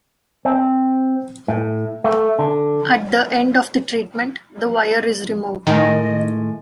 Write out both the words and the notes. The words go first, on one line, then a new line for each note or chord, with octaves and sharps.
At the end of the treatment the wire is removed.
C4
A2
A3
D3
A2 D#3 G#3 D#5 G#5